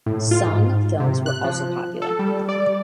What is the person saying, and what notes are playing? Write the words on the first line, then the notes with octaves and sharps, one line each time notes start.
"Sung" films were also popular.
A2
F4
G#2
C3
F#6
F3
A4
G3
D5